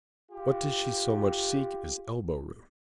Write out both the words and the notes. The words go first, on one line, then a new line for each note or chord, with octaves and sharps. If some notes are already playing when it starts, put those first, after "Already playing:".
What does she so much seek as elbowroom?
F4 G4